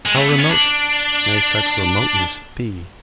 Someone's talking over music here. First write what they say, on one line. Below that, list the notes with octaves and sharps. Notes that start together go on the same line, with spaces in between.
How remote may such "remoteness" be?
G#3
A3
B3
C#4
D4